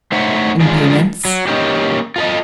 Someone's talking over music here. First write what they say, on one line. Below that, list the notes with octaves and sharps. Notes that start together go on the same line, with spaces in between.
"In payments."
A3 D#4 C5 C#5 E5 F#5
F3 G#3 D4 D#4 F4 G#4
F#3
A#3 C#4 D#4 G4
F4 A4 D#5